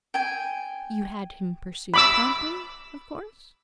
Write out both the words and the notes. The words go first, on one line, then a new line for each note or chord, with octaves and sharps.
"You had him pursued promptly, of course?"
G5 G#5
B5 D6 E6